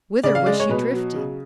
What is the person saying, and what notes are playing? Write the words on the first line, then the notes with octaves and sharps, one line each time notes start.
Whither was she drifting?
C#3 D5
F5
G#3 D5
C#5
B2 B4
F#3
C#3